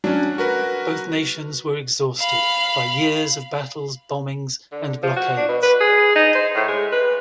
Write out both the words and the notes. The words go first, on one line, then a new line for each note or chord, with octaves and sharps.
Both nations were exhausted by years of battles, bombings and blockades.
F#3 C#4 D4
F#4 A#4 B4
F5 B5
D3
F3
F#4
D4
B2
B4
G#4
D#4
C5
A2
G#3
B4